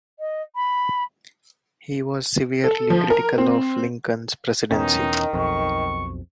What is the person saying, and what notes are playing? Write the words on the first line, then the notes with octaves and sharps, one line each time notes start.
He was severely critical of Lincoln's presidency.
D#5
B5
A4
F3
A#4
C4
E2 B2 D#3 C#4 D#4
B1 F2 C#6